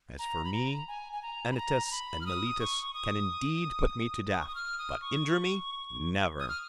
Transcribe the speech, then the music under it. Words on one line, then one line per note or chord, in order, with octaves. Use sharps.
As for me, Anytus and Meletus can indeed put me to death, but injure me, never!
A#5
B5
A#5
G#5
G#5
A#5
B5
A#5
A#5
B5
F6
D#6
C#6
D#6
D#6
C#6
D#6
F6
D#6
C#6
D#6
F6